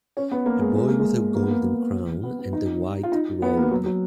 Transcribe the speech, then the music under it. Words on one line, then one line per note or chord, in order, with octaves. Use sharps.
A boy with a golden crown and a white robe.
C#4
B3
A#3
G#3
G#3
A#3
G#3
A#3
B3
A#3
B3
B3
D#4
F4
D#4
B3
A#3
F#3
F#3